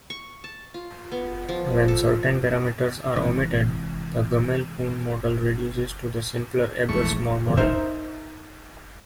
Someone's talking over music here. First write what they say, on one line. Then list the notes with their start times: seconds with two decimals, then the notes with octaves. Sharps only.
When certain parameters are omitted, the Gummel-Poon model reduces to the simpler Ebers-Moll model.
0.10 C#6
0.44 A5
0.74 F4
1.12 B3
1.49 F3
1.88 A4
3.16 G#2 C3 E3
6.89 A#1 E2 G#2 A3 C#6
7.57 D#4 A#4 C5 E5